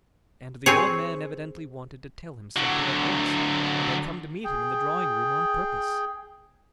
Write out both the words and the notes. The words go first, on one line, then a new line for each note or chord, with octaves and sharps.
And the old man evidently wanted to tell him something at once and had come to meet him in the drawing-room on purpose.
C4 G#4 C#5
D3 F#3
G#4 G5